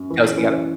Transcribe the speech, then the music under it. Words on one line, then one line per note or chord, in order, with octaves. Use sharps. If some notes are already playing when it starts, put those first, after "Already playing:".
goes together.
Already playing: F#2
E3
E3